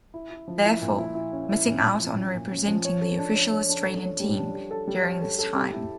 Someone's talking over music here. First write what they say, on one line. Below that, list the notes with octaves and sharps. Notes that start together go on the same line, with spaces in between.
Therefore, missing out on representing the official Australian team during this time.
E4
E4
F3
E4
A#2
E4
E4
C#4
E4
A#2
E4
F3
C#4
A#2
C#4
F3
C#5
A4
D4
C#5
C#5
D4
A4
C#5
G3
D4
G3
A4
G3
C#5
A4
A4
G4
E4